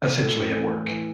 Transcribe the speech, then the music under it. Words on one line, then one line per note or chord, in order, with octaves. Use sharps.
essentially at work.
A2 A4
A2
E3
A2
E3